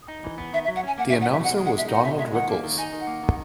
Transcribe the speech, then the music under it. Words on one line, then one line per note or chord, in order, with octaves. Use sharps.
The announcer was Donald Rickles.
D#4
E3
B3
D#3 E5
E5
F#3
F#5
C#4 G#5
A#3 F#5
E5
D#3
F#5
F#3 E5
B2 F#5
G#3
F#5
B2 E5
D#4 F#5
B2 E5
G#3 E5
D#3 F#5
A#3
D#3
D#4 G#5
D#3
F#5
A#3
D#3